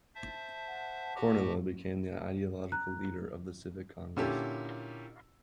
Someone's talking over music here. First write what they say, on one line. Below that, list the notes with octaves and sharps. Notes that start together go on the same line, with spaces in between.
Kornilov became the ideological leader of the Civic Congress.
C5 E5 A5
F#5
F#4 G4
A#5 F#6
A#2 D3 C#4 E4 G4 A4